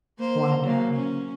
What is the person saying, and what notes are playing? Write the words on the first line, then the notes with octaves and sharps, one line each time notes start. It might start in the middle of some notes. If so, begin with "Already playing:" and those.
Wind down.
A#3 C5
F#3 A#3
C#4